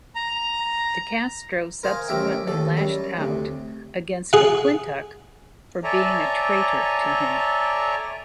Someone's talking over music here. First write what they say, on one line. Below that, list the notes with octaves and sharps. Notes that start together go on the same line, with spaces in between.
De Castro subsequently lashed out against McClintock for being a "traitor" to him.
A#5
A#4 C5 D#5 F5 G#5
A1 F#2 G4 A#4 E5 G5
D#2 A#2 A4
F#2 G3
D2 C3
G#4 F#5
A4 C#5 D5 E5 G#5 A#5